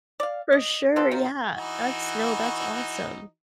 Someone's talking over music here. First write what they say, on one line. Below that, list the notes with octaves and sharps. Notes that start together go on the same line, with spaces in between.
For sure, yeah. That's no, that's awesome.
D5 F5
D#5
B3 C4 F4 A4
D#3 F#3 F4
E3 D#4 F#4